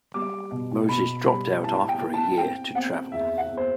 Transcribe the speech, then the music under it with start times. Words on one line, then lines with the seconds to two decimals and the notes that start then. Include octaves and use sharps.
Moses dropped out after a year to travel.
0.14 G3 D6
0.52 B2
0.89 B2 B5
1.26 G3 B5
1.63 E4 A5
1.89 G5
2.01 E4
2.14 A5
2.37 C4 G5
2.75 C4 F#5
3.12 E2 E5
3.38 F#5
3.50 E2
3.57 C5